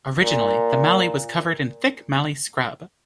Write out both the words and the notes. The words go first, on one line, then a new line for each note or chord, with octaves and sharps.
Originally the Mallee was covered in thick mallee scrub.
A#2